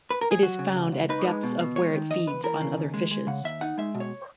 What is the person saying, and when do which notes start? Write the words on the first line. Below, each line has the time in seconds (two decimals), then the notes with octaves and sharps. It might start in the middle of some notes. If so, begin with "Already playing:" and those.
It is found at depths of where it feeds on other fishes.
0.10 B4
0.21 A#4
0.31 G#4
0.43 F#3 F#4
0.59 C#3
0.76 C#2
0.92 C#2
1.09 D#4 B4
1.27 G#3
1.43 B2
1.60 B2
1.76 G#3 C#5
1.94 D#3
2.10 E2 D#5
2.27 E2 B4
2.44 E3 A#4
2.61 C#3
2.78 D#2
2.94 G#3
3.11 G#3
3.27 C#3 F#5
3.44 D#2 E5
3.61 D#4 F#5
3.78 G#3 E5
3.95 B2
4.00 C#5